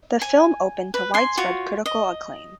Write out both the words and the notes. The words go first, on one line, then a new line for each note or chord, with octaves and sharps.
The film opened to widespread critical acclaim.
G#5
B4
G#5 C6
F4 F#4 C#5
D#5